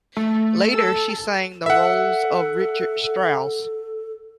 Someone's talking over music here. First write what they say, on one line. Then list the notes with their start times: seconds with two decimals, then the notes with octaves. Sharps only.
Later she sang the roles of Richard Strauss.
0.17 A3
0.72 A4 E6
1.66 A4 E5 F#5